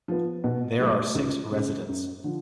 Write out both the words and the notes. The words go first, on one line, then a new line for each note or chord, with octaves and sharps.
There are six residents.
F3 B3
B2
F#3 A3
C#2
C#3 G#3
F#2
D3 F3